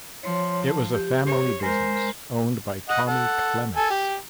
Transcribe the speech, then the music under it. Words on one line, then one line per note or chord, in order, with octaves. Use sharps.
It was a family business owned by Tommy Klemis.
F3 C#5 C6
A5
G4
C#5
G#3 A#4 C5
D#5 F#5
A4 F#5
A4 G#5
G4